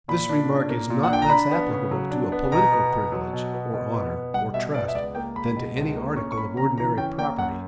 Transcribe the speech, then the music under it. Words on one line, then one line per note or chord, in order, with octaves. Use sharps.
This remark is not less applicable to a political privilege, or honor, or trust, than to any article of ordinary property.
A#2 B5
D4
A#2
A#3
A#2
F#5
D4 G5
A#5
D4 B5
B3
C#3
F#3
D4
B3
B2 A#5
B3
B2
F#3
B2
B3
B2
B3
B2
G3 F#5
B2 E5
B3 D5
E5
C#2 D5
A#3 G5
C#2 B5
B2
C#2
A#3
C#4 C#6
C#6
A#3 B5
C#3 A#5
E3 A#5
C#4 G5
A#3 G5
F#2 F#5